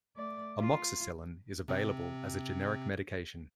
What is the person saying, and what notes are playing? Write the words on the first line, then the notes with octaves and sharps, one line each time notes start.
Amoxicillin is available as a generic medication.
A3 D5
F4
C3 C4